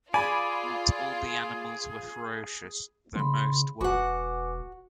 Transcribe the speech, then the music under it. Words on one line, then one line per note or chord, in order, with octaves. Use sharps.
Not all the animals were ferocious, though most were.
F4 G#4 D5 G#5 B5
C#3 B5 C6
E1 F#4 B4 F#5 G#5 D6